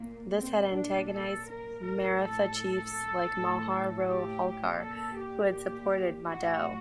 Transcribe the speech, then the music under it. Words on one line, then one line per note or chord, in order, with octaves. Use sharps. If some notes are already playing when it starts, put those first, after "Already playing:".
This had antagonized Maratha chiefs like Malhar Rao Holkar, who had supported Madho.
Already playing: A#2 A#3
A#2 C4
D4
A4
A#4
A2 A#4
A4
A2
G4
A#2 A4
G4
A2 F#4